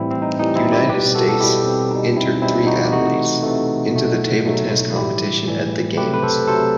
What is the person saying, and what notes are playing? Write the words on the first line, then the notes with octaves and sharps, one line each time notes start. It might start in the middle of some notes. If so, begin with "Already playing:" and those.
United States entered three athletes into the table tennis competition at the games.
Already playing: A2 E3 G3 C4 E4
C4
D#4
A2 E3 G3 D#4
C4 E4
E4 G4
B2 G3 G4 B4
F#4 A4
A4
B2 G3 E4 G4
C4
B2 G3 D#4
C4 E4
B2 G3 C4 E4
D#4 F#4
G4
C3 E3 A3 D#4 F#4
C3 E3 A3
B2 F#3 A3
B2 F#3 A3
A2 E3 G3 E4 G4
A2 E3 G3
C3 F#3 A3 G4 B4
B4
A4 C5
C3 F#3 A3 A4 C5